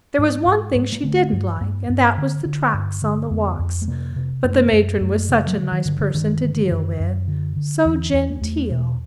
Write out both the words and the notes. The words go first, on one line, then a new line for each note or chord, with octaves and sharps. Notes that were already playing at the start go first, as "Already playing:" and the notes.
There was one thing she didn't like and that was the tracts on the walks; but the matron was such a nice person to deal with, so genteel.
G#2
G#2
G#2
A#3
D3 A3
G2
G2 A#3
G2
D3
D3
G2
D3
F2 B3
F2
A3
C3 A#3
C3
F#2 A3
F#2
F#2 A3
C#3
F#3
D3 G3
D#3
G2 D3
D3
G2 D#3
D3
F#2
F#2
D3
D3
E2 E3
E2
A#3
E2 A3
B2